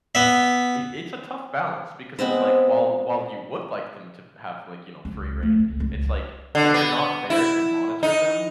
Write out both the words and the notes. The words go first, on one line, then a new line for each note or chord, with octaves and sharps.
I it's a tough balance because it's, like, while while you would like them to b have like, you know, free reign, it's, like, if you're not there to monitor them,
B3 E5
G#3 B3 C4 C5
C#2
A3
C#2
C#2
G3
D3
B3
E4
D#4